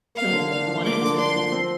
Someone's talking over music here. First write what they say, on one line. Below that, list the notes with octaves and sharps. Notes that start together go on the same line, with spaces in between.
don't want it to.
A#3 F5
D3
D4 F5
F3
A#3 D6
D3
D4 C6
F3
C4